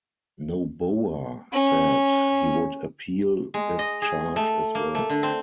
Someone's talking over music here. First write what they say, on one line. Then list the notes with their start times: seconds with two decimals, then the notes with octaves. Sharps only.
Noboa said he would appeal this charge as well.
1.52 C#4
3.54 G#3
3.79 D#5
4.02 G#4
4.36 A3
4.75 A#3
4.95 A3
5.10 D3
5.23 C4